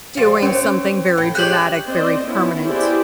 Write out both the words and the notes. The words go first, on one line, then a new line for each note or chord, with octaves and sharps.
doing something very dramatic, very permanent
F3 G3
C4 C#4 C#5
A2 G5
G#3 G4 C#5 F#6 G6 F#7
C4 C5 D5 D#5
B3 C#4 E4
E4 G4 G#4 B4 C5 D5